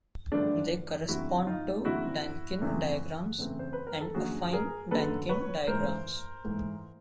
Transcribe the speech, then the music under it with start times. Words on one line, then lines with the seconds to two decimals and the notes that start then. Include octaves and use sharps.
They correspond to Dynkin diagrams and affine Dynkin diagrams.
0.32 G2 D3 F3 A3 D4
1.08 F#2 D3 G3 C4 E4 F#4
1.47 D#4 F4
1.84 F#2 D3 G3 C4 E4 F#4
2.61 E2 C#3 E3 A3 C4
3.38 E2 C#3 E3 A3 C4
3.59 C5
3.73 B4
3.87 A#4
4.01 A4
4.14 F#2 D3 F#3 A#3 F#4 G#4
4.53 G#4 A#4
4.91 F#2 D3 F#3 A#3 A4 B4
5.29 B4 C#5
5.67 G#2 E3 A3 A#4 C5
6.44 G#2 E3 A3